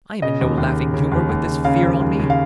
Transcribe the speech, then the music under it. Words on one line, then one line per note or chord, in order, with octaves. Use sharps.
I am in no laughing humor with this fear on me.
C#3 D#5
D#2
D#2
C#3
C#3
D#2
D#2
C#3
C#3 F5
D#2
D#2
C#3
F5